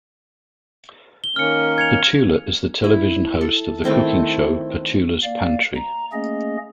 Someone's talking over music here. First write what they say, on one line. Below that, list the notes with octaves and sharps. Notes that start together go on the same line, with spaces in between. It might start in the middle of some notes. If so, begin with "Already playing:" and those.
Petula is the television host of the cooking show "Petula's Pantry".
G7
D#3 A#3 C#4 F6 C#7
G#6 C#7 F7
E4
A4
D#3 A3 C4 E4
A#3 D5 F5
A#5
A3 A#3 C#4 G#4 D#5